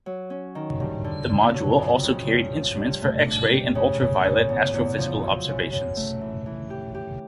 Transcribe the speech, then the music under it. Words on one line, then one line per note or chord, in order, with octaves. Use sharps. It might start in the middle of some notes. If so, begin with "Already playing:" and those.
The module also carried instruments for X-ray and ultraviolet astrophysical observations.
F#3
C#4
D#3
G2
D3
D3
F#3
F2
C#3
G2
F3
G2
A3
D4
G4
C#3
C#3
C#3
E2
E2
F3
F#3
F#2
F#2
A3
E3
E3
G4
G4